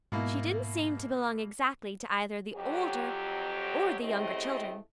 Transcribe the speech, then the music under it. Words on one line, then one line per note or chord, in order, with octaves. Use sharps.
She didn't seem to belong exactly to either the older or the younger children.
G#2 B2 A#3 E4
F2 F#3 G4
A2 C#3 A3 C4 G4 D#5